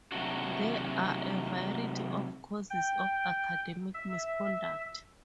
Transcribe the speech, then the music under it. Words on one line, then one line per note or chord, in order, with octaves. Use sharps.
There are a variety of causes of academic misconduct.
C3 F#3 A3 D4 F#4
G5
E5